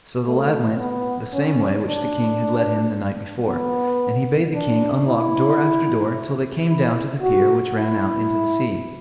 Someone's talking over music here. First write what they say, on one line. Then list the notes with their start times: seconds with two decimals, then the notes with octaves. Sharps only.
So the lad went the same way which the king had led him the night before, and he bade the king unlock door after door till they came down to the pier which ran out into the sea.
0.26 A3
0.80 B3
1.33 C#4
1.87 D4
3.47 B3
4.54 D4
5.08 E4
6.69 E4
7.22 F#4
7.76 E4